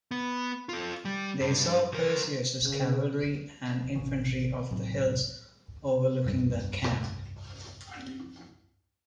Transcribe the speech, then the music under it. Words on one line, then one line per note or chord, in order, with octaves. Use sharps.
They saw Perseus' cavalry and infantry of the hills overlooking the camp.
B3
F4 A4
G3
G2
C2 A#4
C#3
A1 D#3 C#4
B1 A2 F#3 C4
F1 C2 G2